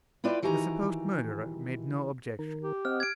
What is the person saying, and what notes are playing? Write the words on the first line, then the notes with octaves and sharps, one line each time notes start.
The supposed murderer made no objection.
E4 F4 B4 D5 G5
D#3 E3 F#4 G4 G#5 A#5
D#3 A#4
G4
C4 D#5 F#5 F6
G#6 D7